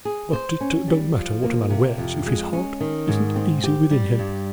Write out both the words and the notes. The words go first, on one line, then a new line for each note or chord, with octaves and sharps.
"But it don't matter what a man wears if his heart isn't easy within him."
G#4
C5
C#4
G3
F3
A#3
C3
F2
G#3
C#4
D#3
G#2
C4
G4
G3
G2